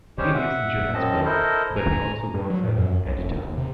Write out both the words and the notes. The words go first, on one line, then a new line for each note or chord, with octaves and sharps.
He lives in Johannesburg where he also works as an editor.
G3 G#3 C#4 G4 C5 C#5
E5 F#5
F#2 C4 C#4 D#5 A5
E4 A4 A#4 C5 D#5
G#5 A#5
G2
F#3
A2
F#2
B1
F#1
D#2
C3